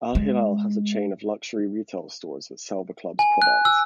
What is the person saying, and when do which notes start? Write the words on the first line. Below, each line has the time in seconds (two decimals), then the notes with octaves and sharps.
Al-Hilal has a chain of luxury retail stores that sell the club's products.
0.15 G#3
3.19 G#5
3.42 F#6
3.65 E6